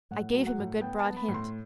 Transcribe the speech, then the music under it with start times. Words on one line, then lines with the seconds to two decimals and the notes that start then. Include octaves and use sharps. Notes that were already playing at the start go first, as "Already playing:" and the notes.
I gave him a good broad hint.
0.11 A2 F#5
0.35 F#3
0.47 F#5
0.58 A2
0.81 B3 G5
0.99 A5
1.05 B3
1.17 B5
1.28 A2
1.34 C6